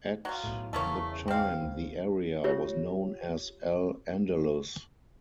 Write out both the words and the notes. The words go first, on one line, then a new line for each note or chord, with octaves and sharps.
At the time the area was known as Al-Andalus.
F#3 F4
B1 A2
E2 C#3 A3 A#3 C#5
C4 F5
D2
F4 G4 C#5